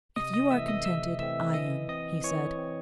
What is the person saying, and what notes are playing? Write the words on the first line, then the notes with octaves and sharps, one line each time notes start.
'If you are contented, I am,' he said.
C3 D#5 D#6
D#5 D#6
E3 A3 C4 E5 E6
D#5 D#6
C3 E5 E6
E3 A3 C4 E5 E6
E3 D#5 D#6
C4 D#5 D#6
E3 C#5 C#6
C4